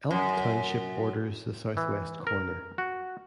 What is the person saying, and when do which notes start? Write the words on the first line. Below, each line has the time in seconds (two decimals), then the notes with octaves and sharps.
Elk Township borders the southwest corner.
0.11 F#2
1.77 E3
2.27 A#4
2.78 F#4